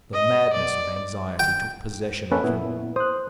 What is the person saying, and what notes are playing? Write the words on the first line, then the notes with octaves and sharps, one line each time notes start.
The madness of anxiety took possession of him.
D#5
D5
G5
A#3 C#4 A4 B4
A#2 B3 E4
C5 D#6 F#6